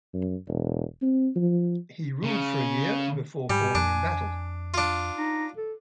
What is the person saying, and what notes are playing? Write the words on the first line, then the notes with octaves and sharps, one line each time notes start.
He ruled for a year, before falling in battle.
F#2
E1
C4
F3
C#3
G#2 G3 G#5
F2 D4
D4 F4
D#4
A4